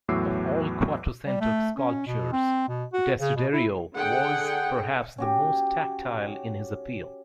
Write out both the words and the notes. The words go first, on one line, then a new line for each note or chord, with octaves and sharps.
Of all Quattrocento sculptors, Desiderio was, perhaps, the most tactile in his appeal.
E2 A2 F#3 D6 E6 C7
G3
A3
C#4
B2
C4
B2
F#4
C#3
B2
E4
D3 G#4 F#5 G5
C#4 F#4 G4